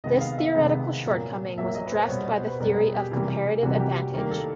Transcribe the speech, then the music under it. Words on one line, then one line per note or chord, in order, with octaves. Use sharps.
This theoretical shortcoming was addressed by the theory of comparative advantage.
C3 D#3 G#3 B3 D#5
F5
E5
C3 D#3 G#3 B3
A#2 F#3 A#3
A#2 F#3 A#3 E5
D#5
B4
C5
B2 G3 B3 C#5
C5
B4
B2 G3 B3 A#4
G#4
G4
C3 E3 G3 A#3
C3 E3 G3 A#3 F#4
G4
D#3 G3 A#3 A#4
A4